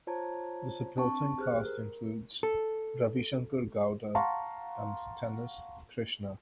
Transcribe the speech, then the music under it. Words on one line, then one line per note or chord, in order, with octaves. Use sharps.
The supporting cast includes Ravishankar Gowda and Tennis Krishna.
F4 C5 C#5 A5 A#5 G#6
C4 D4 A5 C#6
G4 G#4 C5 F6 F#6
A#4
A4
F5 F#5 A5 A#5 C6 C#6